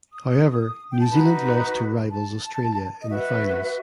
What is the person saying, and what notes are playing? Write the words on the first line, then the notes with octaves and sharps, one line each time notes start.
However New Zealand lost to rivals Australia in the finals.
D#6
G5
A5
D#4 F#4 B4 B5
A5
D#5
F#4 B4 E5